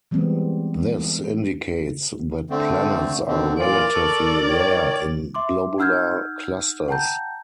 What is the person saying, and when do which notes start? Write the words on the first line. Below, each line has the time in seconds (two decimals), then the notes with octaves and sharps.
This indicates that planets are relatively rare in globular clusters.
0.11 E3 G3 G#3 B3 C4
2.50 D3 A3 C4
3.27 B2 D3 C4
3.59 A#2 E3 F4 A#4 D5
3.94 A4 C#6
4.47 D#3 C#5
5.34 E5 C6 D6
5.78 D#4 F#5 E6 F6 G6 G#6
6.88 F#5 G5 A5 A#5 G6